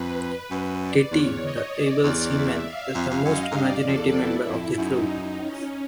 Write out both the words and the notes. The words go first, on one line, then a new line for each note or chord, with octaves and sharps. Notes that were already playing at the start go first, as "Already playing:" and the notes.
Titty, the "able seaman", is the most imaginative member of the crew.
Already playing: F2 B4
F#2
D5
E2 C#5
D#5
D5
E2
E5
F5
F2
F2
F#2 D#5
G#2
G2 D5
F2 A4
E2
F2
E4
F2
F#2 D#4
C#4